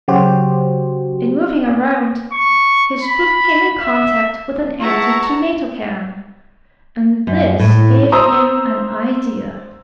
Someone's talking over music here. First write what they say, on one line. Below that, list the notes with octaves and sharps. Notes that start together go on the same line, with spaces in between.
In moving around his foot came in contact with an empty tomato can and this gave him an idea.
C#3 F#3 F#4 G4 C5
C#6
B5
E5
E4 F4 G#4 B4 F#5 A5 A#5 C#6
F#2
A2
C5 A#5 D#6 E6